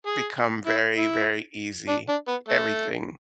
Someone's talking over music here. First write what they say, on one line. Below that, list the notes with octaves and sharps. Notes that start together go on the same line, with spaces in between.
become very, very easy. Everything.
G#4
E4
E4
D4
D4
B3
A3